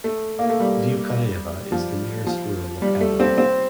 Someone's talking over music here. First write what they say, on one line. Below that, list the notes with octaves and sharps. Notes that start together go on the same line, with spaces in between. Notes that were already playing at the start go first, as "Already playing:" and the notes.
Dyukareva is the nearest rural locality.
A3
A#3
A3
G3
F3
F3
G3
A3
C4
C4